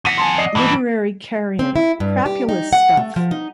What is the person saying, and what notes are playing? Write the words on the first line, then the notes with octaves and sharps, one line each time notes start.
Literary carrion... Crapulous stuff.
F2 F#5 A#6 B6 D#7
G#5 A5 C6
D5 D#5 C7
G2 E3
D7
C4
E4
G2
G4
D#4
F#5
A3
F3
D#4